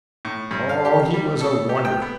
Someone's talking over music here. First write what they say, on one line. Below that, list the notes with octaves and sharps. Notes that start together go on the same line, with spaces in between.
Oh, he was a wonder!
A2
G2
F5
G4
G3
A4
G4
G5
B3